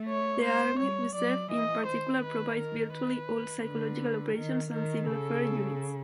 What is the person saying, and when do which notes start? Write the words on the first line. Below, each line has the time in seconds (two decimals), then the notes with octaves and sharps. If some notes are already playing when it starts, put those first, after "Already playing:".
The Army Reserve in particular provides virtually all psychological operations and civil affairs units.
Already playing: A3
0.08 C#5
0.44 C5
0.79 G3 C#5
1.15 F#3 D5
1.51 E3 D#5
1.86 D#3 C5
2.23 B4
2.58 A#4
2.93 B4
3.64 D3 B4
4.36 D#3 A#4
4.71 D#3 A#4
5.06 C#3 A4